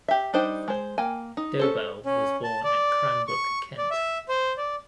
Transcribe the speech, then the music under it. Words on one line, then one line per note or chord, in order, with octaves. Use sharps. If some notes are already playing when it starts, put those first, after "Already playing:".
Dobell was born at Cranbrook, Kent.
G4 E5
G3 D4 D#4 C5 G5
G#3 C5
A#3 G5 G#5
D#4
C#4 A4 C5
C#4
A5
D5
C#6
D5
E5
C5
D5